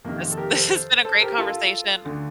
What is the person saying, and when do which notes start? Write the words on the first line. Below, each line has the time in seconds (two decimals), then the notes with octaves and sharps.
This this has been a great conversation.
0.04 F2 C3 D#3 A#3
0.32 A4
0.37 G4 A#4
0.54 A4 C5
1.05 A4 C5
1.21 G4 A#4
1.38 F4 A4
2.05 D2 D3